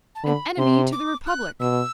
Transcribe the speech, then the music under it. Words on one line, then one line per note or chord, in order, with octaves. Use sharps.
"An enemy to the Republic!"
A5
D3 B5
C3 C6
D6
F#6
B2 E6